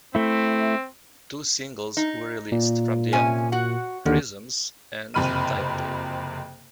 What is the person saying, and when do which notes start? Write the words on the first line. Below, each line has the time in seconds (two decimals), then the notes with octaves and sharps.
Two singles were released from the album, "Prisms" and "Taipei".
0.15 A3 C4 E4
1.97 D#4
2.52 A#2
3.13 C3 C#4 G#5
3.52 F#4 F#5
4.05 D#2 D3 D#3
5.14 F#1 F2 C3 B5 F6 D#7